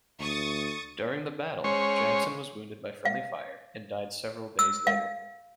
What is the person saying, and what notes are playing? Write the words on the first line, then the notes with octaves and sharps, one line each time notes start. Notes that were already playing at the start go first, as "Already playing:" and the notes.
During the battle, Jackson was wounded by friendly fire and died several days later.
D2 C#6 D#6 A6
G#3 C#4 C5 C#5
F5
E6
F5